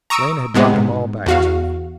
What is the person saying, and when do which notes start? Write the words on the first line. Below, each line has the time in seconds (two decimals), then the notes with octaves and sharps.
Lena had brought them all back to me.
0.10 A#5 C#6 D#6 E6 D7
0.54 A2 C3 G#3 B3
0.74 G#2
1.26 E2 F#4 F5